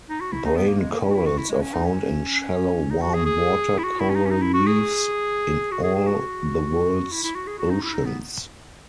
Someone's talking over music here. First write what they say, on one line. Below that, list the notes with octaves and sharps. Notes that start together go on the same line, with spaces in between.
Brain corals are found in shallow warm-water coral reefs in all the world's oceans.
D#4
F#4
E4
D#4
B3
A#3
G#3
A#3
C#4
F#4
E4
F#4
E4
G#3
C#4
D#4
C#4
D#4
F#4
G#4
G#4
E4
F#4
E4
C#4
D#4
C#4
D#4
E4
F#4
G#4
F#4
G#4
G#4
F#4
E4
E4
F#4
G#4
F#4
D#4
E4
D#4
B3